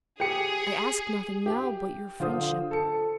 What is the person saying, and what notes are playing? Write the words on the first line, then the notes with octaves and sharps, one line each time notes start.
I ask nothing now but your friendship.
G4 G#4 C#7
G4
D3 F4 C5 D#6
A4 C#7